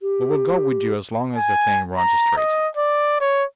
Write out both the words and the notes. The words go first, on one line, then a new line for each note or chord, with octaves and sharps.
We will go with you as long as the thing runs straight.
G4
G#5
A#5
D#5
D5
C#5